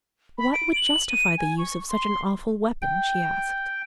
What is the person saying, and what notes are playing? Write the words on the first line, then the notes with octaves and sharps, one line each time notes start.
"What would justify the use of such an awful weapon?" she asked.
B5
D7
F#7
D#7
G#5
C#6
C6
G5